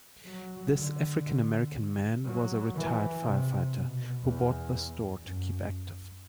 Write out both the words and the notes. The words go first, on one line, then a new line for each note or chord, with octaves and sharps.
This African-American man was a retired firefighter who bought the store to keep active.
F#3
D3
F#3
E3
C3
B2
E2
F#2